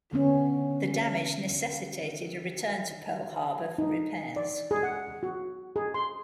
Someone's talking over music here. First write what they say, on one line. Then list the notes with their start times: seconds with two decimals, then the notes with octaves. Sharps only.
The damage necessitated a return to Pearl Harbor for repairs.
0.12 D3 B3 C#4
3.78 D#4
4.36 D5
4.71 G#4
4.83 F#5
5.23 F#4
5.76 G#4
5.94 C6